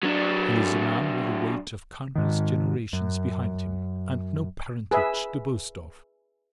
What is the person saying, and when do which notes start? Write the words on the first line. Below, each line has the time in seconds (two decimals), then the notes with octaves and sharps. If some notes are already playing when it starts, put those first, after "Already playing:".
He is a man with the weight of countless generations behind him and no parentage to boast of. . . .
0.03 F#3 D4
2.16 G#2 D#3
2.93 F#2
4.91 G#4 B4 E5